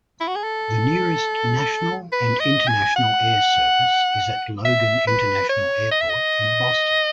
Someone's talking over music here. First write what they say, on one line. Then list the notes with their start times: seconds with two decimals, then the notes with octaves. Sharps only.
The nearest national and international air service is at Logan International Airport in Boston.
0.21 E4
0.28 F#4
0.36 G#4
0.44 A4
2.12 B4
2.40 D#5
2.69 G#5
2.96 F#5
4.65 E5
5.07 B4
5.50 C#5
5.92 D#5
6.01 E5
6.10 D#5